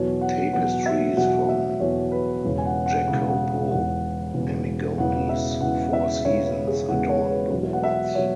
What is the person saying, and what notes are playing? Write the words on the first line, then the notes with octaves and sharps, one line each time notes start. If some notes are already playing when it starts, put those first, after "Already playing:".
Tapestries from Jacopo Amigoni's "Four Seasons" adorn the walls.
Already playing: E2 B2 F#3 C#5
F#5
E2 B2 F#3 F#5
E5
E2 B2 F#3 F#5
E5
E2 B2 F#3 C#5
B4
E1 E2 C#3
G#5
F#5
F#5
E1 E2 C#3
F#5
E1 E2 C#3 F#5
E1 E2 C#3
E1 E2 C#3 E3 F#5
E5
E1 E2 C#3 E3 F#5
E5
E1 E2 C#3 E3 C#5
B4
G#4
E1 E2 C#3 E3 F#5
C#5
B4
E2 B2 F#3
F#5
E5
F#5
B2 F#3 C#5